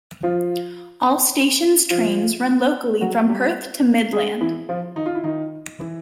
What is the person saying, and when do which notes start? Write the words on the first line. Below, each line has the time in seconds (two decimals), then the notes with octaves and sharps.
All stations trains run locally from Perth to Midland.
0.23 F3 F4
1.90 F3 F4
3.01 F#3 F#4
3.29 G3 G4
4.13 G#3 G#4
4.41 E3 E4
4.69 F3 F4
4.96 D#3 D#4
5.06 F4
5.15 E4
5.24 D#3 D#4
5.80 E3 E4